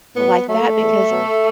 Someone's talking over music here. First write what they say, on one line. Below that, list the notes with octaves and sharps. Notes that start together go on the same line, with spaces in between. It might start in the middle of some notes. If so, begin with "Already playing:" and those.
like that? Because
A2 B3
F#3 A3
E2
B2 F#3